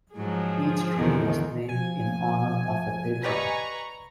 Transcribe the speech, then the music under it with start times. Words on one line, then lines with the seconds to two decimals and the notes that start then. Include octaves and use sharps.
Each tree was named in honor of a patron.
0.16 G#2 F3 F#3 G#4
0.92 E2 D3 D#3
1.68 F3 G#5
3.24 G4 B4 D5 D#5 A#5 C#6